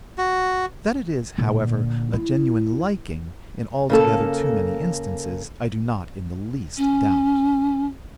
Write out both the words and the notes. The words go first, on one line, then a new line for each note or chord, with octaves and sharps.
That it is, however, a genuine liking, in altogether too many instances, I do not, in the least, doubt.
F#4
A#2 D3
E4
C#3 A#3 A4
C#4